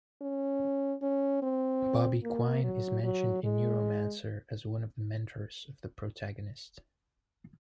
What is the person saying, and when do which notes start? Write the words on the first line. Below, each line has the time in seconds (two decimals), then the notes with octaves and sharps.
Bobby Quine is mentioned in "Neuromancer" as one of the mentors of the protagonist.
0.22 C#4
1.02 C#4
1.42 C4
2.23 A#3
2.63 F#3
3.03 F#3
3.44 G#3